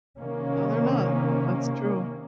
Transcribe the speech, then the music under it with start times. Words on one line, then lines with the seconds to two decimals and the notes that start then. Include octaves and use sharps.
No, they're not. That's true.
0.18 C3 D#3 A#3 C#4